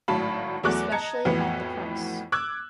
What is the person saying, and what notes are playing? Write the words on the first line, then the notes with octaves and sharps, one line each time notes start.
Especially at the price.
G#1 A2 F#3 F5 A5 B5
E2 F#3 A3 D6 F#6
D#5 A5 A#5 G#6 C#7
F2 A2 E3 B3 F#4 F#5
D6 E6 F#6 G#6